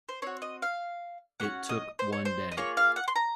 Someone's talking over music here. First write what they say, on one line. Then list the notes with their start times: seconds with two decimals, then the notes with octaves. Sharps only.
It took one day.
0.09 C5
0.22 C4 F#4 C#5
0.42 D#5
0.62 F5
1.40 A#3 C#4 F#4 F#5
1.69 D#5
1.99 C5
2.13 C#5
2.25 C5
2.52 D#5
2.57 A#3 F4 G#4 C#5
2.77 F5
2.96 F#5
3.08 C6
3.16 A#5